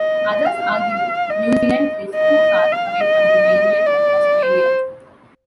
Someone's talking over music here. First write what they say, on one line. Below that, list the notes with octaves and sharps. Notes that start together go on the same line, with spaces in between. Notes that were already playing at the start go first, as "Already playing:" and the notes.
Others argue New Zealand is too far away from the mainland of Australia.
Already playing: D#5
F5
D#5
D#5
F5
D#5
D5
C5